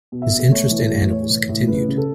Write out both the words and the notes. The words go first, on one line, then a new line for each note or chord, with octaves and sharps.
His interest in animals continued.
B2
E5
B2
A3 C#5
E3
A2
A2 C#5
E3
A2
C#3 B4
C#3
A4